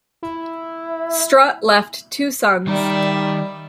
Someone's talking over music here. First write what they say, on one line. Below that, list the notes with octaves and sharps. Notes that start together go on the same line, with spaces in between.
Strutt left two sons.
E4
D#3 G3 D#4 D5 E5 A#5